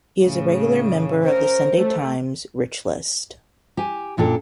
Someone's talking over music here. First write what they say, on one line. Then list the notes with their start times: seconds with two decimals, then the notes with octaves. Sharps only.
He is a regular member of the Sunday Times Rich List.
0.25 A2 C#3
1.23 C#3 A#4 C5
1.78 A3
3.77 G4 G#5
4.17 F#2 A#2 D4 G4 A4